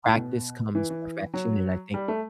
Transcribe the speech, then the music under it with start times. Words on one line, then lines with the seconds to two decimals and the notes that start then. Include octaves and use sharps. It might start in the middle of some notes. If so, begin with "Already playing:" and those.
practice comes perfection, and I think,
0.06 A2
0.16 B2
0.75 E3
0.90 E3
1.34 F#3
1.94 G3
2.08 A3